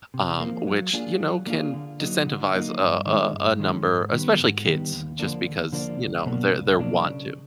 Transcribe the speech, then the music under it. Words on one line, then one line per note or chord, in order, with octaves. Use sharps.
um, which, you know, can disincentivize a a a number, especially kids, just because, you know, their their want to.
C3
F3 A#3
F#3
A#3 D4 F4 G#4
F#3
A#3 D4 F4 G#4
D3
F#3 A#3 D#4
D3
F#3 A#3 D#4
G2
D#3 G#3 C#4
G2
D#3 G#3 C#4
G#2
D#3 G3 B3
G#2
D#3 G3 B3
D#2
D3 F3 A#3 D4
D#2
D3 F3 A#3 D4
C#2
B2 F#3 A#3 D4
C#2
B2 F#3 A#3 D4
C#3